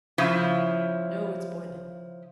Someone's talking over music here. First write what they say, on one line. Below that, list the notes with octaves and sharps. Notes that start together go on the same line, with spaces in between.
No, it's boiling.
C#3 F3 E4